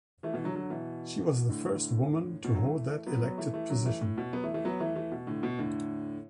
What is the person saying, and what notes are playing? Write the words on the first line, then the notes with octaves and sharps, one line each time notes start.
She was the first woman to hold that elected position.
E3 A3
B2 E3
D3 F#3
D3 F#3
B2 E3
A2 D3
B2
D3 F#3
E3 A3
F#3 B3
F#3 B3
E3 A3
E3 A3
D3 F#3
E3 A3
A2
B2
F#3 B3
E3 A3
E3 A3
F#3 B3
E3 A3
E3 A3
B2
A2 D3
B2
A2 D3